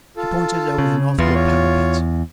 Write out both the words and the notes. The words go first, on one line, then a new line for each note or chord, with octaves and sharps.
He pointed over the northward parapet.
F4 A4
C#3
E2 F4 B4 C6
F4 C#5